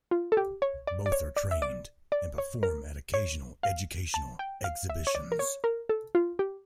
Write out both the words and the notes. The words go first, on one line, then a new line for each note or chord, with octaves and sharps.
Both are trained, and perform at occasional educational exhibitions.
F4
A4
G4
C#5
D5
D5
C#5
D5
E5
D5
D5
C#5
A#4
C#5
F5
A5
G5
F5
E5
C#5
D5
A#4
C#5
A#4
A4
F4
G4